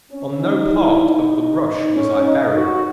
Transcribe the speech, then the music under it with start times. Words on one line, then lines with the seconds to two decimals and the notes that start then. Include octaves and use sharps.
On no part of the rush was I buried.
0.11 C#4
0.42 D#4
0.73 E4
1.03 D#4
1.94 C#4
2.24 D#4
2.55 F#4